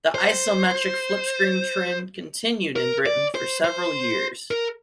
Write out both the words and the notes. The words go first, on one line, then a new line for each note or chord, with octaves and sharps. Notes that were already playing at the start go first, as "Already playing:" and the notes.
The isometric, flip-screen trend continued in Britain for several years.
C5
A#4
D5
C5
C5
A#4